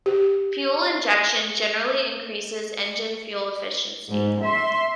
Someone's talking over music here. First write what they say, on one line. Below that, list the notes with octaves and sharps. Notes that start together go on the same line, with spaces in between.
Fuel injection generally increases engine fuel efficiency.
G4
G#2
E5 C6